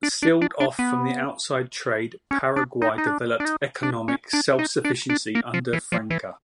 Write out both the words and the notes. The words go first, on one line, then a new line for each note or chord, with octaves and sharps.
Sealed off from outside trade, Paraguay developed economic self-sufficiency under Francia.
D4
D4
D4
D4
B3
C#4
D4
D#4
D#4
D4
D4
D#4
D4
C#4
D4
D#4
D4
D4
A#3
F3
E3
F3
E3